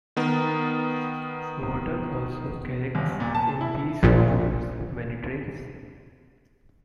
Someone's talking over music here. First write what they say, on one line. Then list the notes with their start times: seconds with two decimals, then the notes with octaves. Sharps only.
Water also collects in these grooves when it rains.
0.16 D#3 B3 A#4
2.95 D#1
3.07 F#1
3.20 A#2
3.35 A5
3.61 E4
4.03 A#1 A#2